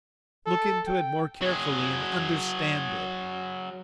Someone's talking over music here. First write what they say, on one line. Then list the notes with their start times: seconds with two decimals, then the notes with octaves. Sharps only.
Look into it more carefully and understand it!
0.46 A4
0.87 G5
1.41 F#3 G#4